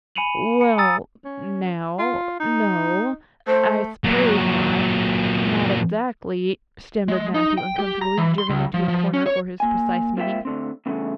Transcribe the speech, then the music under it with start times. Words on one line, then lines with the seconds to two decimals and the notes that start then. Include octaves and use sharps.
"Well, now, no, I suppose not--not exactly," stammered Matthew, uncomfortably driven into a corner for his precise meaning.
0.15 G#5 B5 C#7 D#7 F7 F#7
0.61 C#7
0.78 G#5 A#5 D#6 E6 A6
1.25 C#4
1.99 F4
2.40 D#4
3.47 A3 C5
4.05 A#2 F#3
7.08 G#3
7.34 D#4
7.58 G5
7.79 G4
8.01 A#5
8.17 E3
8.38 C6
8.49 C#2
8.74 F3
8.88 F3
9.14 C#4
9.26 C#5
9.60 A#3 G#5
10.16 F2 F3 A#3 C#4 E5 G5
10.45 D2 D3 C4
10.86 E2 G2 C#3 E3 A3